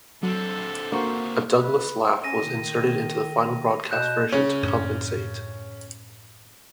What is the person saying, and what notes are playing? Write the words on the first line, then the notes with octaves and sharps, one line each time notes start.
A Douglass laugh was inserted into the final broadcast version to compensate.
D3 F#3 C4 A4
A#3 D4 F#4 C5
B4
C#4 A#6 D#7
D#3
B2 F#6 G6 E7
C#3 C#4
F#2 A2 D4